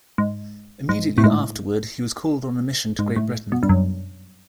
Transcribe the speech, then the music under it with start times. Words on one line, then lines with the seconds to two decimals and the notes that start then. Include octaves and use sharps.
Immediately afterward, he was called on a mission to Great Britain.
0.18 G#2
0.89 G#2
1.18 A2
1.24 G#2
2.99 G#2
3.16 A2
3.52 B2
3.63 G2
3.69 F#2